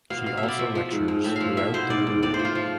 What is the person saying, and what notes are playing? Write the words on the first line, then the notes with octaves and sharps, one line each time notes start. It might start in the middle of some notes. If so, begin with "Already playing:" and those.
She also lectures throughout the world.
B2 F5
B2 F5
E5
B2
D5
F3 E5
F3
G#2
G#2
A2 E5
F5
F3
B2 E5
B2 C5
G#2 D5
G#2
A2 D5
C5
F3
F4
F3